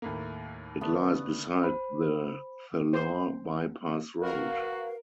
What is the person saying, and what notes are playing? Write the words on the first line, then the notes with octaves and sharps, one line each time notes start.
It lies beside the Thalore bypass road.
D#2 A2 A#3
D3 A3 B3 D4
C5 B5
C5
F#4 A#4 B4 F5